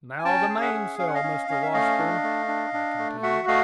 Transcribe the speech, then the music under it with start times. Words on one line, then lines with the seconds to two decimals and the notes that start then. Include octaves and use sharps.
"Now the mainsail, Mr. Washburn," I continued.
0.19 G#5
0.24 C#4 G5 A5
0.49 G#4
0.62 E5 F#5
0.74 C#4
0.99 C#4 F5
1.07 F#5
1.14 D#5 F5
1.23 C#4
1.49 C#4 D#5
1.62 E5
1.73 A3 D#5 F5
1.99 D4
2.23 A3
2.48 D4
2.74 D4
2.98 A3
3.23 F#4 E5 F#5
3.48 A3 D#5 F5